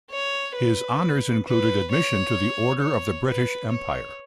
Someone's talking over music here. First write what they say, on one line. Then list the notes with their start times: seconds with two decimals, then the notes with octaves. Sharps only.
His honors included admission to the Order of the British Empire.
0.11 C#5
0.56 B4
1.47 B4
1.91 C#5
2.81 C#5
3.27 B4
3.72 C#5